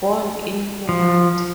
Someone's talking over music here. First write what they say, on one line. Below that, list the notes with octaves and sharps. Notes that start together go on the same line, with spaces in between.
Bond in command.
F3